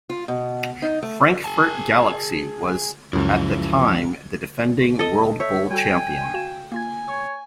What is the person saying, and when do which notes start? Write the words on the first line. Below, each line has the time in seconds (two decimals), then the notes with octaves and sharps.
Frankfurt Galaxy was at the time the defending World Bowl champion.
0.10 F4
0.28 B2
0.82 D#4
1.03 A3
1.44 G#4 G#5 A5
3.13 C#2 F#2 F3 E4
4.99 A4 D#5
5.40 C#5 E5 G6
5.71 G3 F#4 A4 G5 G#5
6.34 F#4 F5 E7
6.72 A#3 F4 G#5 G#6
7.08 C#5 C#6